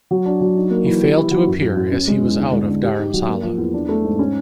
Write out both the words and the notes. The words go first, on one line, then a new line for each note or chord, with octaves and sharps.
He failed to appear as he was out of Dharamsala.
F#3
D4
F#3
D#4
A#3
E3
G4
E4
F#3
F#2
F#3
F#2
C#4
G#3
E2
D3
G#3
D3
G4
D#4
F#3
A#3
F3
E2
D4
A3
G#2
C#4